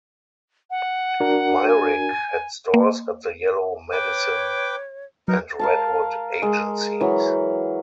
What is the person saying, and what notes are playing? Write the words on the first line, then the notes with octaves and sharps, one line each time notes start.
Myrick had stores at the Yellow Medicine and Redwood Agencies.
F#5
D4 F#4 A#4
G#5
A#3
B4 C#5 G5 D6
F#3 D#4 A#4 B4
A#4 F5 A5
G#3
E3 F#3